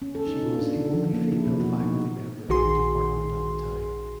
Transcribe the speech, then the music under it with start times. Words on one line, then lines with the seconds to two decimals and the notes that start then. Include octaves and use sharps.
She was the only female faculty member in the department at the time.
0.02 C#4
0.15 A4
0.27 D#4
0.42 F4
0.59 D4
0.76 D#3
0.94 F3
1.13 A#3
1.32 E4
1.47 B2
1.60 F#4
1.83 D#4
2.49 A#1 D#3 F#4 G#4 C6